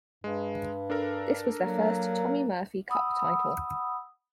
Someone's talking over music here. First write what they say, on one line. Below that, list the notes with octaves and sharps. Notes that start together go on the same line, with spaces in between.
This was their first Tommy Murphy Cup title.
G2 G#3
D4 A4 A#4
F#3 A#3
F#5 B5 D#6 E6